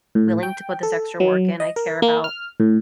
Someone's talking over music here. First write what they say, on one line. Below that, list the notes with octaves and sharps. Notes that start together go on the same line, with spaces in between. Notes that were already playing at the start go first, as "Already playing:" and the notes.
willing to put this extra work in. I care about
A2
G5
A4
F#3
D#5
A#4
A#3
F6
A2